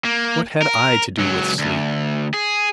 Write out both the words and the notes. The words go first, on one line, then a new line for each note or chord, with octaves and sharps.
What had I to do with sleep?
A#3
A#4
C#2 F#3
D2
G#4